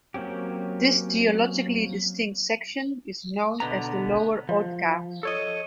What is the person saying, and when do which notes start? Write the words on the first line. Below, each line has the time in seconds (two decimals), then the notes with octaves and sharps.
This geologically distinct section is known as the lower Oatka.
0.14 F#3 A#3 C4 C#4 G4
3.60 B2 D3 B3 A#5
4.49 F3
5.23 A4 C#5 D#5